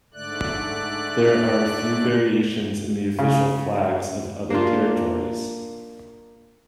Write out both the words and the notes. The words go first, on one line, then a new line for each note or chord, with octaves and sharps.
There are a few variations in the official flags of other territories.
G#2 D3 A3 D5 F#6
C#3
A#3 D4 F4